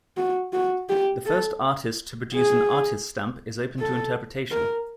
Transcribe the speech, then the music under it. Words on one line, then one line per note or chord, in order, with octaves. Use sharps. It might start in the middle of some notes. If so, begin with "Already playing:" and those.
The first artist to produce an "artist's stamp" is open to interpretation.
F#4
F#4
G4
A4
G#4
A4
A#4